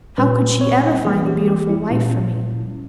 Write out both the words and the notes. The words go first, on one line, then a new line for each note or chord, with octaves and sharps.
How could she ever find a beautiful wife for me?
A#2 G3 C#4 B4
C#5
E3 A#3 C#4 G#4
G4
G4
E4
A#2 G3 C#4 E4